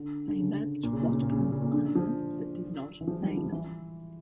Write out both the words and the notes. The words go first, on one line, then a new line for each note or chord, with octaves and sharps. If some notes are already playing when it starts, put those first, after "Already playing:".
They mapped Watkins Island but did not name it.
Already playing: D3
D3
C#3
A#2
C#3
A#2
C#3
A#2
C#3
A#2
C#3
A#2
D3
F3
E3
F3
G3
F3
E3